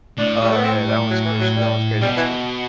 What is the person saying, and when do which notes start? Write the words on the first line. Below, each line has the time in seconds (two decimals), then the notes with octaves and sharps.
Oh yeah, that one's cruz that one's crazy too.
0.18 A2 D4
0.42 G3
0.49 A3
0.57 B3
0.64 C4
0.88 G3
1.10 F#3
1.25 E3
1.40 F#3
1.56 G3
2.01 B2 G3
2.17 E3